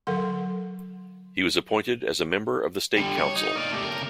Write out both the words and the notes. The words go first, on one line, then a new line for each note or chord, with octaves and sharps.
He was appointed as a member of the State Council.
D3 F#3 A4 A#4 F#5 C6
D3 G3
C#5
D#4
A#4 D5
A3 G4
C#3 A#4